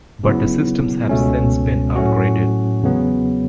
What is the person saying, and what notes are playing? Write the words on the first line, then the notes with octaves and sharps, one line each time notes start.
But the systems have since been upgraded.
C#3 F#3 B3 E4
C#2 B2 A3 C#4
A2 F#3 A3 C#4 F#4
E2 C#3 F#3 B3